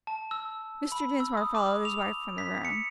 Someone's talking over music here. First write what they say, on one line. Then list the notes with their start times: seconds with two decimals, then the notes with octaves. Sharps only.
Mr. Dinsmore followed his wife from the room.
0.07 A5
0.31 E6
0.92 B5
1.20 E6
1.37 D#6
1.55 D6
1.85 F7
2.38 B6
2.65 C#7